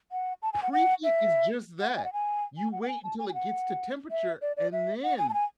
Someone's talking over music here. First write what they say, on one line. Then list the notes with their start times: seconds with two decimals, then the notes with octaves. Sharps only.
Preheat is just that, you wait until it gets to temperature, and then
0.12 F#5
0.42 A5
0.53 G#5
0.62 F#5
0.73 F#5
1.04 E5
1.81 F#5
1.96 G#5
2.04 F#5
2.13 G#5
2.57 G#5
2.72 F#5
2.83 F#5
2.88 G#5
3.04 A5
3.19 G#5
3.29 G#5
3.34 F#5
4.11 E5
4.42 D5
4.57 D5
4.72 E5
5.03 F#5
5.18 G#5
5.29 A5
5.34 G#5